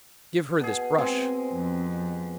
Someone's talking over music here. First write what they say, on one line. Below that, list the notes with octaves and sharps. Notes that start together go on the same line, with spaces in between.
Give her this brush.
B2 G#4
G#3 C4 G#4
F2